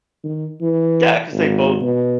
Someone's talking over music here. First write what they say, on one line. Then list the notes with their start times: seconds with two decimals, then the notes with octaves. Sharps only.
Yeah, 'cause they both
0.23 D#3
0.61 E3
1.33 G#1
1.81 B2